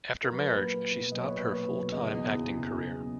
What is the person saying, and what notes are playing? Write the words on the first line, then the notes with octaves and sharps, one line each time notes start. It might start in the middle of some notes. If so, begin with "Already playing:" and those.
After marriage, she stopped her full-time acting career.
A#4
F#3 B4
A#2
A#3
B1
F#3 D#5
C#5
A#2 B4
C#5
A#3
B1
C#3 D#5
E2
F#1
F#1
C#3
E2